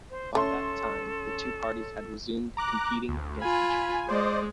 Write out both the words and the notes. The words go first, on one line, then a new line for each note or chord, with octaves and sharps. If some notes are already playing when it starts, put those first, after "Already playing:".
By that time, the two parties had resumed competing against each other.
C5
A3 C#4 A4 C6
A#5 D6 F#6
D2
F4 G#5 B5
G#3 C5 D5 D#5